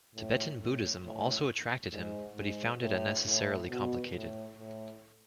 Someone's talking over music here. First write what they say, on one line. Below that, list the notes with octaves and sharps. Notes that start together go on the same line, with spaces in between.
Tibetan Buddhism also attracted him, but he found it unnecessarily complicated.
A2
A2
A2
G#2
G#2
A2
A2
B2
A2
A2